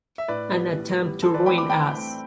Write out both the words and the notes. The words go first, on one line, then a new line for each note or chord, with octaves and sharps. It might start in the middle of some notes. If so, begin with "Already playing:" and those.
An attempt to ruin us!
E5
A2 B4 D5
G3 B3
A2
G3 B3
E3 A4 C5
B4 D5
A3 C4 G5 B5
B5 D6
E3 G5 B5
A3 C4